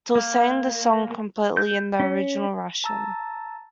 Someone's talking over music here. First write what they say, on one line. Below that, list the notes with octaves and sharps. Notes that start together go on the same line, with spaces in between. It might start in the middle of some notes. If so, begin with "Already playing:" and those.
Till sang the song completely in the original Russian.
A#3
G6
C#4
A5 A#5 E6 A6